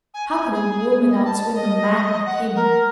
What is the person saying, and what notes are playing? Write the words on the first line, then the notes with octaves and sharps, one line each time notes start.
How could a woman outswim a man like him?
G#5
G#5
G#4
D#5
A5
D#5
F#5
A#4